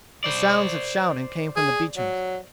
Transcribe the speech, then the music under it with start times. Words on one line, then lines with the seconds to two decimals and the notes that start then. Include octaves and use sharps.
The sounds of shouting came from the Beecham's.
0.24 C5 D5
1.56 G#4
1.97 F#3